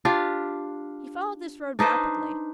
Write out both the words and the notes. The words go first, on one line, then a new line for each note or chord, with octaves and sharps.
He followed this road rapidly.
D4 F4 G4 F5
D4 D#4 B4 C5